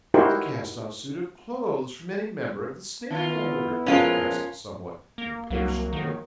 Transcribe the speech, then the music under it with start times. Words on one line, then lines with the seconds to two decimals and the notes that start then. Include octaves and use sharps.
"A cast-off suit of clothes from any member of the Snake family," replied Cresty somewhat impatiently.
0.14 D#4 E4 F#4 G4 A#4 C5
3.11 D#3 A#3 B3 E4 F4
3.86 A#2 F3 G#3 C#4 F4 A#4
5.18 A#3
5.51 C2 F#3 A#3
5.93 D#3